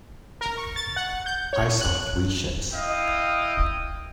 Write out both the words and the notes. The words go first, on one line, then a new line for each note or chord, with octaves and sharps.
I saw three ships.
A#4
C#6
A6
F#5
G6
C#5
F#6
E4 D#5 F5 G5